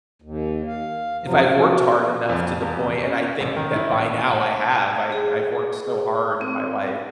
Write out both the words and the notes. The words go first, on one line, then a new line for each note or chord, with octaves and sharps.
if I've worked hard enough to the point and I think that by now I have. I I've worked so hard in my life
D#2
F5
F2 C3 F3 F#3
B2 F3
F2
E2
C3
C#4
A1
D#3
E4
A1
F#5
G#4
G#4
C4